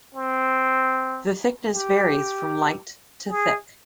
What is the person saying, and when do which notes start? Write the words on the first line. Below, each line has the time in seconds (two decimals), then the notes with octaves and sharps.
The thickness varies from light to thick.
0.14 C4
1.72 G4
3.29 G#4